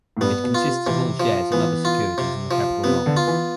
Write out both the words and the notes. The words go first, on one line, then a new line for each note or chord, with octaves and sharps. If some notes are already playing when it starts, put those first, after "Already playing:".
It consists of all shares and other securities in the capital market.
A2
G2 B3
B2
F4
C3
C3 E3
F3
E3 B3
F4
C3
F3
C3 B3
D3
F4
E3